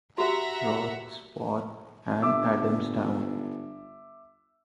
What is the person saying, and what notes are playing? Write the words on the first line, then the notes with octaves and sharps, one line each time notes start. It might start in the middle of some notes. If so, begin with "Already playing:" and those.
Roath, Splott and Adamsdown.
F#4 G4 E5 F#5 A#5
G1 E5 D6 E6